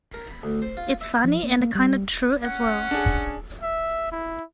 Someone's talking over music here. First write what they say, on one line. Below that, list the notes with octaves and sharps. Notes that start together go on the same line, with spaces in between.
It's funny, and kinda true as well!
A#4
B5
D2
C5
F4
E5
F3
A#3
A#3
G3
C#4 F#5
D4 G#4
E5
E4